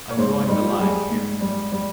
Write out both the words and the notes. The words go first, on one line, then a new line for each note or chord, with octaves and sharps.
I'm drawing the line here.
C#5
G#2 C5
G3 D#4
F4
G4
G3 G#4
G#2
G3
G3